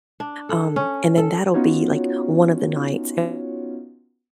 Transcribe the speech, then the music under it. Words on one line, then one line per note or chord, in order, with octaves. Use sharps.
um, and then that'll be like one of the nights. And
D4
A4
C#4
A4
B3 C#4 D#4 F4 F#4 C#5